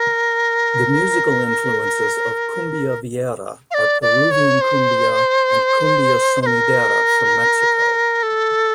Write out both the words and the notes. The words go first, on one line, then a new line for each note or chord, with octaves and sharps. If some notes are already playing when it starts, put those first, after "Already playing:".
The musical influences of Cumbia Villera are Peruvian Cumbia and Cumbia Sonidera from Mexico.
Already playing: A#4
F5
D5
D5
C#5
C5
C5
A#4
A4